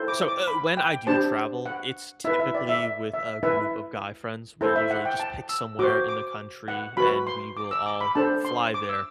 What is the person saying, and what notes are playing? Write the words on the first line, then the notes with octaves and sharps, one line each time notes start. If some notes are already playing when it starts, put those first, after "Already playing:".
so, eh, when I do travel, it's typically with a group of guy friends. We usually just pick somewhere in the country, and we will all fly there.
Already playing: E4 A4 C5
D6
D6
B5
G5
D4 G4 C5 A5
F#5
E4 B4 E5
E5
D5
E5
E5
E4 B4 E5
E4 A4 C5
E5
F#5
G5
A5
E6
F#4 C5 D6
D6
F#5
F#4 B4 B5
C6
D6
E6
D6
B5
D4 A4 C5 A5
C6
D6
E6